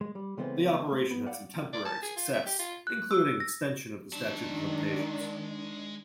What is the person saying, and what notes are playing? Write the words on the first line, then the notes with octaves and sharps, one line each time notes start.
The operation had some temporary success, including extension of the statute of limitations.
G#3
G3
C#3 E3 G#3 A3 B3 C4
A3 C4
B3
D5 F5 F#5
D5
A5
G#4
F4
E5
G4
F4
F#6
E6
A#6
D#3 G#3 D4 A5